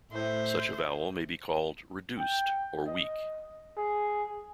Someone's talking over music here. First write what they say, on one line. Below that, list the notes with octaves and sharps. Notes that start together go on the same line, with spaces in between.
Such a vowel may be called "reduced" or "weak".
A2 C5 E5
G5
D#5
G#4